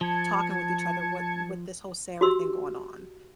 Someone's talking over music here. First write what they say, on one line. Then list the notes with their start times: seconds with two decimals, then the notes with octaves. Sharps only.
talking with each other what with this whole Sarah thing going on.
0.01 F3 A5 G#6 C#7
2.21 F#4 G4 C6 E6